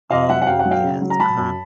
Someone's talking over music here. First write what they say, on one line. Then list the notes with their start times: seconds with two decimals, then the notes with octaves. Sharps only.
Oh, yes, uh-huh.
0.11 F2 D#5 F5
0.29 F#3 E5 F#5
0.42 F#5
0.47 F#2 F5 G5
0.59 F#5
0.66 F#3
0.71 F5 G5
0.84 C#3
1.02 F#3
1.10 A#5
1.19 F#3 A5 B5
1.37 F#2